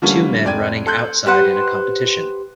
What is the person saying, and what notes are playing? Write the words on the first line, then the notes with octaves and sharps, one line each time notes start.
Two men running outside in a competition.
D3 F3 G3 A3 A#3 C#4
F1 D5 G5 G#6 D#7
A4 C6 F#6 G6
G4 B4 C5 F#5